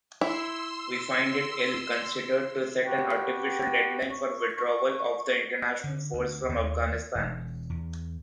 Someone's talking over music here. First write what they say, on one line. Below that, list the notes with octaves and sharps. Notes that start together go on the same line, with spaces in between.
We find it ill-considered to set an artificial deadline for withdrawal of the international force from Afghanistan.
E4 C6 E6
F#4 G4 B4 G5
C#6
D3
D2
D#2
E1
E2